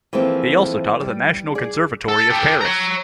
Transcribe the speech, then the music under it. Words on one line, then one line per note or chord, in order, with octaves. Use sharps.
He also taught at the National Conservatory of Paris.
E3 F3 A3 A#3 C4 G#4
G3
G#4 D5
A4
G4 A4
C#5 A#5